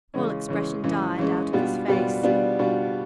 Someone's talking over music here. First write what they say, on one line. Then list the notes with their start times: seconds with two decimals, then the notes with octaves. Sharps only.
All expression died out of his face.
0.14 C#3 E3 G#3 C#4
0.48 C#3 E3 G#3 C#4
0.84 C#3 E3 G#3 C#4
1.18 C#3 E3 G#3 C#4
1.53 B2 G3 B3 D4 F4
1.88 B2 G3 B3 D4 F4
2.23 B2 G3 B3 D4 F4
2.59 B2 G3 B3 D4 F4